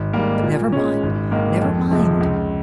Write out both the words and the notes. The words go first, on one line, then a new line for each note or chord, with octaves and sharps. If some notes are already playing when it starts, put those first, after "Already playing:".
But never mind, never mind!
Already playing: G#1
G#2 G3 A#3
A#2
G#3 C#4
G#1
G#2 D#3 A#3 D#4
F2
C3 F3 G#3
C#2